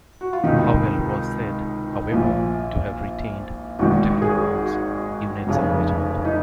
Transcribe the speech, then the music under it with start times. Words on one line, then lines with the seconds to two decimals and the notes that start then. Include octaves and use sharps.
Hywel was said, however, to have retained Dyfnwal's units of measurement.
0.21 F#4
0.33 F4
0.44 C#2 C3 D#3 D#4
2.12 A#1 A#2 F3
3.79 G#1 G#2 D#3 F#4
4.22 G#4
4.63 F#4
5.47 F1 F2 C#3
6.25 D#4